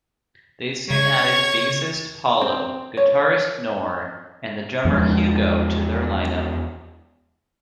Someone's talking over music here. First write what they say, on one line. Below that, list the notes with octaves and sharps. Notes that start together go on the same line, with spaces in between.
They soon added bassist Paulo, guitarist Nor and drummer Hugo to their line-up.
C#3 C#5 C#6 G#6
C4
C#5
E2 F3 F#3 G#3